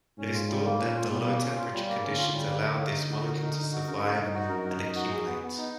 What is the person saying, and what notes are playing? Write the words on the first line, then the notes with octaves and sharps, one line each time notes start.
It is thought that the low-temperature conditions allow this molecule to survive and accumulate.
G#2 C#4
F4
G3
A#3
A#2 C#4
F4
B2 G3
A#3
C#4
F4
G3
A#3
D3 C#4
F4
G3
A#3
A#4
D#4
D#4
F#4
A#4
D#4
D#4
F#4
C#3 A#4
D#4
G2 D#4
F#4
F#2 A#4
D#4
D#4
F#4
G#4
B3
B3
D#4